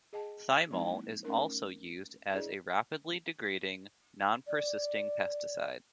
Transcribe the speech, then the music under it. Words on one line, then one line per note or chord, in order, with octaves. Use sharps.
Thymol is also used as a rapidly degrading, non-persisting pesticide.
G#4 D#5 G5 A5
F3 F#3 G#3 C4 D#4 E4
A#3
A3 C#4 D#4 A#4
D4 E4 G#4 C5 D5 D#5
D5